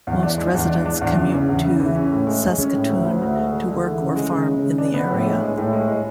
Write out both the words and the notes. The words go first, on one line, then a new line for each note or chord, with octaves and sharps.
Most residents commute to Saskatoon to work or farm in the area.
E2
D4
G#3
E2
D4
D4
E2
C#3
C#3
E2
C#3
E3
C#4
A2
G#3
G#3
C#4
A2
D2
D2
D2
G#3
D3
D3
E3
C#3
G#3
C#3
C#3
C#3
D4
B3
A2
G#3
G#3
A2
G#3
G#3